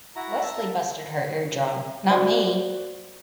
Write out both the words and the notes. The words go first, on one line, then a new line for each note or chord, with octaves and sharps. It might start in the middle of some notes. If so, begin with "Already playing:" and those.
Wesley busted her eardrum, not me.
E4 F#4 A#5
E5 A5 A#5
F#4 C5 D5